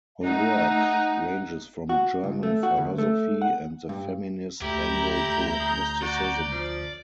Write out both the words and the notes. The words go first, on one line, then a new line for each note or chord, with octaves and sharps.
Her work ranges from German philosophy and the feminist angle to mysticism.
A3 D#4 F#5
F#4
C#2
A3
F#4
D2
A3
F#5
G2
D2 E4 G4 A#5 G6
D2
G#4
F#4 D5
F3